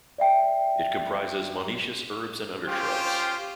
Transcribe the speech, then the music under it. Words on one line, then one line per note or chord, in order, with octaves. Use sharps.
It comprises monoecious herbs or undershrubs.
D5 E5 G5
C#4 F4 G4 C5 G5